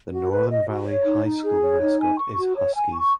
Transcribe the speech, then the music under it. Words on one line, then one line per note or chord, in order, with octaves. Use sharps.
The Northern Valley High School mascot is Huskies.
F#4
B4
D#5
F#4
C#5
D#4
D#4
G#4
C#5
D#4
G#5
C#6
F#4
C#5
G#5
C#6